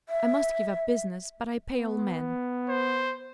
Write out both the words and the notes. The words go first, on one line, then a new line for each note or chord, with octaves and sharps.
I must give up business, but I pay all men.
E5
B3
C5